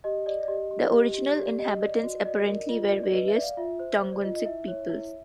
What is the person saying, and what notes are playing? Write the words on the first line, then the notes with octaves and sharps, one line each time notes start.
The original inhabitants apparently were various Tungusic peoples.
G4 D#5
D5 D#5
D5
G4 D#5
G4
G4
G4
G4 D5
G4 D#5
D5 D#5
F#4
D5 D#5
A#4
F4
D5
D5
B4 D#5
E5
D5
F5
F4 E5
C5
C5
D5
F4 D#5
D#5
E4 E5
C#5
E4